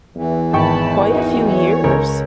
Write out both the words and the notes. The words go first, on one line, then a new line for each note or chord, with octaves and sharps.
quite a few years,
E2 E3
G#1 G5 A5 B5 C#6
E2 D#4 F#4 A#4
C#5
C#2 A#4